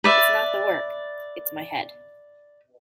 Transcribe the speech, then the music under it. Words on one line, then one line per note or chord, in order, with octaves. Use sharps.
It’s not the work — it’s my head.
B4 D5 E5